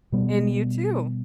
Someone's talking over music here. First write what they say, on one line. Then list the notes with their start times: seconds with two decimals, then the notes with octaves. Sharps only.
And, you too.
0.12 B2 G3 B3